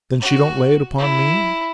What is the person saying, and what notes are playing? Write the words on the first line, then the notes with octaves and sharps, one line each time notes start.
Then she don't lay it upon me?
F#4
E4